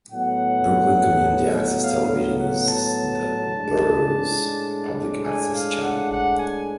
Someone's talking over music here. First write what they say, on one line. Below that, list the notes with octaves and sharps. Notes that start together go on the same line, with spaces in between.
Brooklyn Community Access Television is the borough's public access channel.
A2 F#3 B3 F#5
F5
F5
F#5
A5
A2 G#3 D4
G#5
F5
F#5
F#5
G#5